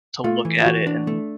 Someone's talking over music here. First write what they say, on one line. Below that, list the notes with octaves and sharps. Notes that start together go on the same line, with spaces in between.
to look at it and,
A3 F4
E3
F4
E3 F#4
D4
A3